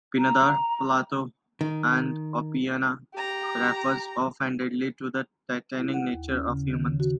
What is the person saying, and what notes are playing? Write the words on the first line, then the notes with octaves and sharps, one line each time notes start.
Pindar, Plato, and Oppian refer offhandedly to the "Titanic nature" of humans.
A#5
D#3
G4 A#5
E4
F#5
D#2
C#4
C#3
D#3
C#3
F#4